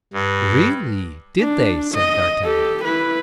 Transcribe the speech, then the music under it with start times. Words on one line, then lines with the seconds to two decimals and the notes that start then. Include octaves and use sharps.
"Really, did they?" said D'Artagnan.
0.13 G2
1.40 D4
1.95 D#5
2.44 G4 A4
2.85 E4 B4